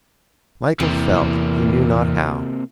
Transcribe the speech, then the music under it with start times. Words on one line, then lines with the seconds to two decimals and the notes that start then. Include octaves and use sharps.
Michael felt he knew not how.
0.80 E2 C3 A#3